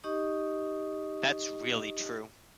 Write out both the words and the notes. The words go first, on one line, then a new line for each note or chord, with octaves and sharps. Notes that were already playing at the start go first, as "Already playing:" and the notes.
That's really true.
D#4 G4 D#5 C#6 D#6